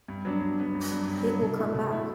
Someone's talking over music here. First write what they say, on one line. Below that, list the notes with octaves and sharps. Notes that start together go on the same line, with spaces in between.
It will come back.
G2
F#3 B3 D4
G2
F#3 B3 D4
G2
F#3 B3 D4
G2
F#3 B3 D4
B2
A3 E4
B2
A3 E4